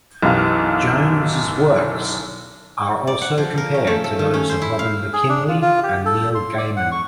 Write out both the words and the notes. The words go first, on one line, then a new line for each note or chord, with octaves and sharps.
Jones' works are also compared to those of Robin McKinley and Neil Gaiman.
B1 F#2 E3 G4 F5 F6
D5
F#5
F3
A#4
C#4
A3
A4
D#3
C#4
C5
E4
F5
G#4
D4
F4
F4
G4
A4
C6
D5
F#5
C#6